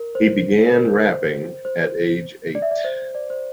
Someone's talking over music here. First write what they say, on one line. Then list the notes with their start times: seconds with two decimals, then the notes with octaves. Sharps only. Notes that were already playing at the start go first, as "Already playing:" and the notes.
He began rapping at age eight.
Already playing: A#4
0.15 C5
0.75 A#4
1.05 C5
1.65 C5
2.55 D5
2.62 E5
2.71 D5
2.84 C5
3.15 D5
3.30 C5